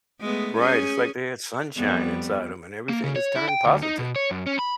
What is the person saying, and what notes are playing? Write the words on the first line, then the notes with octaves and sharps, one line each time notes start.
Right, it's like they had sunshine inside 'em and everything has turned positive.
G#3 A3 B3
C#4 G#4
F2 G3 B3
A#3
C#3
C#5
E4
G5
D2
D#4
B2
C#5
F#2
C#4
B5